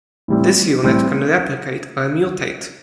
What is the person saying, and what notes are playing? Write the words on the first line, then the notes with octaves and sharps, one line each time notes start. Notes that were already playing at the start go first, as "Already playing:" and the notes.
This unit can replicate or mutate.
A2 E3 G3 C4
A2 E3 G3 C4